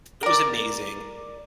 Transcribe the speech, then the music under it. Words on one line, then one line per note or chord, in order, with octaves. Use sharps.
it was amazing.
A#4 D5